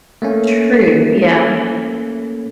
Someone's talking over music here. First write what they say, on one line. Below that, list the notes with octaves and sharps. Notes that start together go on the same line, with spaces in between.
True, yeah.
A3 A#3 C#4